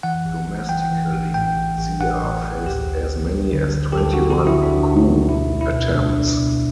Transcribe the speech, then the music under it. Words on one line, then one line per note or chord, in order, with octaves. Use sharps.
Domestically, Zia faced as many as twenty-one coup attempts.
E3 F#5
A1
A1
E3 G5
E3
A1
A2 G5
A1
A1
A1 F#5
A2
A1
D2 G4
D2
D2
D2
D3
D3
G4
D2 A4
F#4
D3
F#4
D3
E4
D2 D4
D2
D2
B2 E4
B1
E4
B2
B2 D4
B1
B2